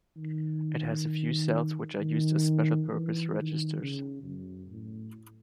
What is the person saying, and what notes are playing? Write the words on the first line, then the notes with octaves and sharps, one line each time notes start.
It has a few cells which are used as special-purpose registers.
D#3
D#3
E3
D#3
C#3
F#2
A2